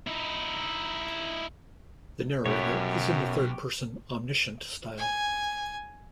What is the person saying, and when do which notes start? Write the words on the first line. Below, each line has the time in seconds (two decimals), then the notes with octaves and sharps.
The narrator is in the Third-Person Omniscient style.
0.07 D#4 E4
2.46 B1 F#2 B3 G4 C#5
4.98 G#5